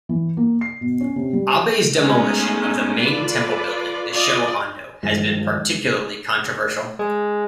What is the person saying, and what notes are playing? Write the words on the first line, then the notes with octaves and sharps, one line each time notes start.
Abe's demolition of the main temple building, the Sho Hondo, has been particularly controversial.
E3
A#3
C7
B2
C#4
C3
G3
G#3 A3 B3 C#4 D#4
F4 A4 B4 D5
F4 D5 D#5
G2 D#3 F3 G#3
G#3